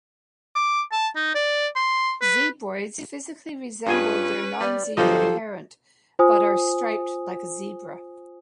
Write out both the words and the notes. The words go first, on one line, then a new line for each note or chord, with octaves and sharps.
Zebroids physically resemble their nonzebra parent, but are striped like a zebra.
D6
A5
D#4
D5
C6
B4
G2 C#4 F4 G#4 B4 G#5
G3 D5
G1 F3 F#3 G4 A4 C5 D#5
F4 C5 G#5 D#6